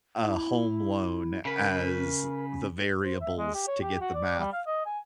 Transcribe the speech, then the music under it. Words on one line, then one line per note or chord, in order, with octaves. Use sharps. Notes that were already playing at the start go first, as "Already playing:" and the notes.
a home loan as the variables to get the math
E4
C#3 A#4 B4
C5
E5
G#3
G4
C#5
G4
F#4
D5
G3
F5
D#5
G#5